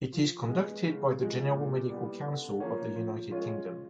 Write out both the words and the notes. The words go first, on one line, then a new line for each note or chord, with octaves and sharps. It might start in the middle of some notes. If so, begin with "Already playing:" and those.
It is conducted by the General Medical Council of the United Kingdom.
F3
G#3 B3
C#3
F3 G#3
A#2
G3 B3 E4
D3
F3 A#3 C#4
F3
G#3 C#4 F4
F3